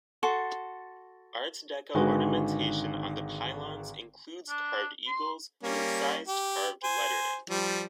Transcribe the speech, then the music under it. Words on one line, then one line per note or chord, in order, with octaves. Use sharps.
Art Deco ornamentation on the pylons includes carved eagles and incised carved lettering.
F#4 A4 C6
G#1 D3 D#3 G#3 F#4 B4
D4
C6
G3 A#3 C#4
G4
C5 G#5
F3 G3